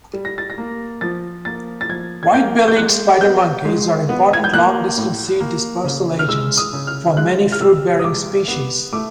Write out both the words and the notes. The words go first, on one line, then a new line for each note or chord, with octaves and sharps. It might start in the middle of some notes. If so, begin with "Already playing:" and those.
White-bellied spider monkeys are important long-distance seed dispersal agents for many fruit-bearing species.
G3
A#6
A6
A#6
A#3
F3 A6
A#3 A6
A6
F3 G#6
G#6
A#3 G6
G6
G#3 F#6
B3 G6
G#3
B3
G#6
G6
A#3 F#6
A2
A#3
C#3
F6
G#3 E6
D#6
C#3
F6
G#3 F#6
F6
C3 E6
D#6
G#3 D6
B3
A3 D6